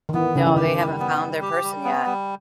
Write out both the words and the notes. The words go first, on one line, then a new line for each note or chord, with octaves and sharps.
No, they haven't found their person yet.
D#3
E3 B3
C#3 G3
E3
D#3 G4
G3
B3
G3
G4
G3
B3
G3